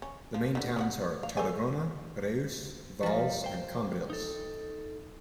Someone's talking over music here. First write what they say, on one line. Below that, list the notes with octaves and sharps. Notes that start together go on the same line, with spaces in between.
The main towns are Tarragona, Reus, Valls and Cambrils.
C#4
F3
D3 G3
B3 C#5 F#5
F5
A4 C5 G#5
F3 G3 A#4
C5 G5
D#4 A4